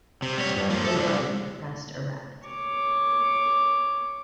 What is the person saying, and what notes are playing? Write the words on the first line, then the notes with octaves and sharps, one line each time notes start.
They run with the crest erect.
C3
G3 C#5
G2
F3 A#3
A4 E5
C2 D3
C#5 D6